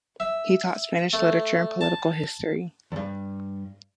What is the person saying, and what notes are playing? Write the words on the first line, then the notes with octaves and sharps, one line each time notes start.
He taught Spanish literature and Political History.
E5
A3
A5
E2 G2